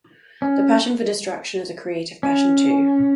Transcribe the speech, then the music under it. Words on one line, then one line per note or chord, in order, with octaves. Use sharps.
The passion for destruction is a creative passion, too!
C#4
C#4